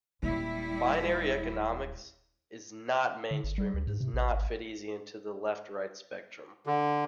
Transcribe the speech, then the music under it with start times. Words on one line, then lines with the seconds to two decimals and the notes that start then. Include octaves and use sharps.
Binary economics is not mainstream and does not fit easy into the left-right spectrum.
0.23 D#1 G3 G#3 E4
3.31 D3
3.44 G1
3.58 G3
3.74 D2
3.87 G#2
4.01 C3
4.14 A1
4.30 G#1
6.67 D3